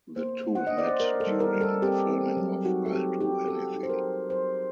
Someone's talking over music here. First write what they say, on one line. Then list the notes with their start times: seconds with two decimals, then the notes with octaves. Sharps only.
The two met during the filming of "I'll Do Anything".
0.16 A#3 C5
0.45 A#3
0.55 F#5
0.67 D4 D#5
0.78 D5
0.89 C5
1.00 A#3 A#4
1.20 A4
1.27 G3
1.40 A#4
1.55 G3
1.61 A4
1.82 C4 G4
2.09 C4
2.37 F#3
2.64 D#4 F#4
2.86 A4
2.92 C4 G4
3.19 F#3 G4
3.47 D#4 A4
3.75 D#4
3.83 C5
3.89 A#4
4.03 F#3
4.30 F#3 C5